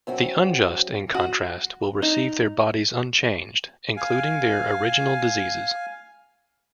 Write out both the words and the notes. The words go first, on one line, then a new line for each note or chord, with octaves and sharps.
The unjust, in contrast, will receive their bodies unchanged, including their original diseases.
F#2 C4 F#4
F#4
D#4
F5 G#5